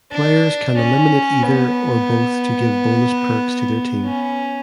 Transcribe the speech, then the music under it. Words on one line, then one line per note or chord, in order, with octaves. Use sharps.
Players can eliminate either or both to give bonus perks to their team.
D4
C#4
B3
C#4